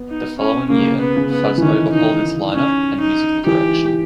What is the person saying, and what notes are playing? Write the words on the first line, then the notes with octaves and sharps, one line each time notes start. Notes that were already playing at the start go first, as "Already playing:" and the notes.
The following year, Phuz overhauled its lineup and musical direction.
Already playing: B3
D#4
C#4
C#3 A#3
B3
C#3
B3
E3
D#3 C#4
D#4
C#4
D#4
E3 G4